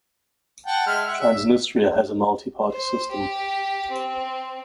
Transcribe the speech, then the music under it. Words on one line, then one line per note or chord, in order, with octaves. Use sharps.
Transnistria has a multi-party system.
F#5 G5 A5
G#3 E5 F6
E5 F#5
E5
C5
G4
C4